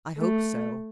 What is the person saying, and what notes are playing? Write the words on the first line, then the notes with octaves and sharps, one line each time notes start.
"I hope so."
A3